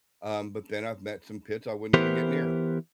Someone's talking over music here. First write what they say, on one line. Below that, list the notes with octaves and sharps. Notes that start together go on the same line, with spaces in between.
Um, but then I've met some Pits I wouldn't even get near.
E3 B3 G4 A#4 C5